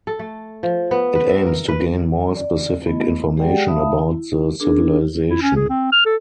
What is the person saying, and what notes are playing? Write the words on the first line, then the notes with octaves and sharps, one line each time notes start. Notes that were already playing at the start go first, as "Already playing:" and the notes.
It aims to gain more specific information about the civilization.
A4
A3
F3
B3
B4
E5
A#4
B4
D5
A3 B3 E4 D#5
G#3 G4 G#4 D5 F#5 G5
D#4 E5 F5 A5 B5 D#6
E4
B3 D4 G#4 A#4
E4
C#4
G#4
C4
F6
A4